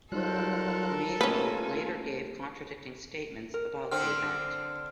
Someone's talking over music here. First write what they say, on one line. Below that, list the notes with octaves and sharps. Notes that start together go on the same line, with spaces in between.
Mazel later gave contradicting statements about the event.
F#3 G3 D#4 F4 A4 A#4 C5 F#6
A3 A#3 C#4 F4 B4 G#5
A#4
D3 C4 D4 F6